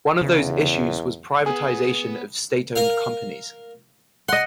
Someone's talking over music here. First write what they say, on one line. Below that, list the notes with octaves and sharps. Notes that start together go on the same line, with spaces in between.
One of those issues was privatisation of state-owned companies.
E2 C#3
B3 G#4 G#5
A#4 F5
D#5 F#5 C6